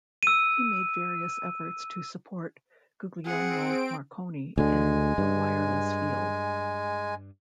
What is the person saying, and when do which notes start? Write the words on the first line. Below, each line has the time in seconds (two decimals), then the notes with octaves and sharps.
He made various efforts to support Guglielmo Marconi in the wireless field.
0.23 E6 D#7
3.25 C4 G#4 F#5 D7
4.58 D2 D3 G#3 G#5
5.18 G2